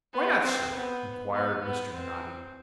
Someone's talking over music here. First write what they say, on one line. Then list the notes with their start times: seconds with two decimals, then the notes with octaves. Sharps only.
'Why not, Sir?' inquired Mr. Noddy.
0.13 B3
0.43 C4
0.73 B3
1.32 B3
1.62 B3
1.93 C4